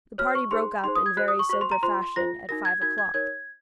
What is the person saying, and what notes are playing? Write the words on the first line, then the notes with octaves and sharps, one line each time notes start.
The party broke up in very sober fashion at five o'clock.
F#4 C#5 F6
C#6
D#4 G#4 C5 C6
D#4 G#4 C5 C6
D#6
G#6
F#4 C5 F#6
D#6
C#6
F#4 C5 C#6
C6
A#5
F4 C5 C6
F4 C5 A#6
D#4 F#4 A#4 A#6
G#6
D#4 F#4 A#4 G#6
G#6
D#4 A#4 C#5 G#6